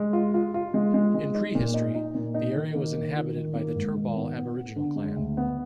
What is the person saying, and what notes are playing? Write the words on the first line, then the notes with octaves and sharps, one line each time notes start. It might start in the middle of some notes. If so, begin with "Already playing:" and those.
In prehistory, the area was inhabited by the Turrbal Aboriginal clan.
Already playing: G#3
F4
F4
F4
G#3
G#3
G#3
D#4
A#2
D#4
D#4
A#2
D#4
D#3
A#3
D#3
F4
D#3
A#3
G#2
D#3
B3
B3
B3
D3
G#3
D2
B3